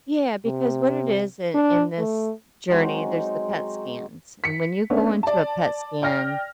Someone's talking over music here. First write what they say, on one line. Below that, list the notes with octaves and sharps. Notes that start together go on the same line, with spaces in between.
Yeah, because what it is i in this journey, there's the PET scans. And when you go into a PET scan,
C3
D4
A3
F#3 G#3 C4 D#4
B6 C#7
A3 B3 C#4 D4
D5 A5
D5 G5 F6 A#6